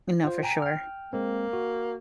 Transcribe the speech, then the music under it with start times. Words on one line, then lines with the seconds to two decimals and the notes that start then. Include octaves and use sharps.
You know, for sure.
0.24 F4 C5
0.43 G5 G#5 A#5
0.62 G5 F6
1.13 G#3 A#3 C4
1.53 F#4